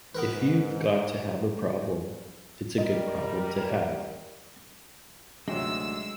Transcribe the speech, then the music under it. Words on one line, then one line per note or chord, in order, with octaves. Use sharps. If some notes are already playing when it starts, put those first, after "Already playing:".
If you've got to have a problem, it's a good problem to have.
G#2 B3 A#4 B4
G3 A#4 D#5
D2 G#2 C3 F#3 G#3 E6